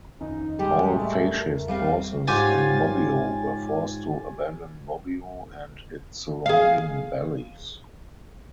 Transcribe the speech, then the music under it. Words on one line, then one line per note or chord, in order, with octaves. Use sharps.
All fascist forces in Bobbio were forced to abandon Bobbio and its surrounding valleys.
F1 D#2 C#4 D#4
G3 G#3 G4
A2 A3
E2 A#4
G3 A3 C4 F5
G#2 F4 G4 C#5 G#5 A6
G#4 F5